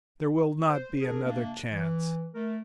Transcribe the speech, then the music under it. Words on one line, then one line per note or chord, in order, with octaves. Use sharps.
There will not be another chance.
C5
D4 G#4 A#4
C3 A#3 D4
E3
A3 A#4